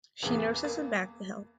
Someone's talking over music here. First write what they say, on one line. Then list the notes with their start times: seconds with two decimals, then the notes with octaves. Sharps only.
She nurses him back to health.
0.23 E2 C#3 E3 B3
0.64 A#3